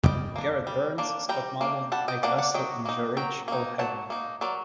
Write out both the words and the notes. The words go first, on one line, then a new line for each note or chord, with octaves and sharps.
Garrett Byrnes, Scott Malyon, Nate Wessel and Joe Rich all had one.
G3 D#5 G5
A#3 D4
G3
A#3 D4
G3 G5 A#5
A#3 D4
G3 F#5 A5
D#5 G5
A#3 D4 D5 F#5
D5 F#5
F#3 D#5 G5
A#3 D#4
F#3 G5 A#5
A#3 D#4
F#3 F#5 A5
A#3 D#4
F#3 A#4 D5